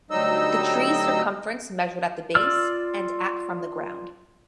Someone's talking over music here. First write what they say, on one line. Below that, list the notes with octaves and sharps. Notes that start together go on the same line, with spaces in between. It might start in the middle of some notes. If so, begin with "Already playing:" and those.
The tree's circumference measured at the base and at from the ground.
D2 F#3 G3 D#4 D#5 E6
F4 D5 E6 F6